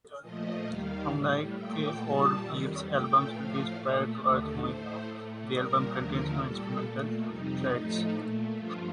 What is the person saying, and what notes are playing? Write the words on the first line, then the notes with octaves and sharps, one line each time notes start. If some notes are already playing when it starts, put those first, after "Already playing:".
Unlike Oldfield's albums released prior to "Earth Moving", the album contains no instrumental tracks.
A#2 F3 A3 D#5
D#2 D#3 G3 F5
A2 G3
A#2 A3 G5
A#2 G3 A5
F2 D#3 G3
A#2 A3 G5
A2 F3 A3 F5
A#2 A3
D#2 D3 A3
A2 A3 C5
A2 A3
A#2 G3 A#4
D#2 D3 F3 A3 A#4
A#2 G3 A4
A#2 A3
F2 C3 G3 D#4
A2 F3 A3 D#4
A#2 A3
G2 F3 A3 F4